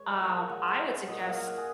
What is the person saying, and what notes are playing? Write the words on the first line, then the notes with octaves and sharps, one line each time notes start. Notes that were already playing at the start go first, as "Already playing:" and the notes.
um, I would suggest,
Already playing: G#3 C#5
D#5
A#2 F#5
G#5
G#3 F#5
F#5
G#3
A#2 D#5
F5
A#2
F#5
G#4